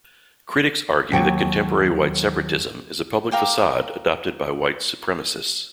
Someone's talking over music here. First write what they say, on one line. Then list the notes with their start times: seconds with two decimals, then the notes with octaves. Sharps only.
Critics argue that contemporary white separatism is a public facade adopted by white supremacists.
1.12 D#2 F#3 F#5 G5
3.31 A#4 F5 G5 D6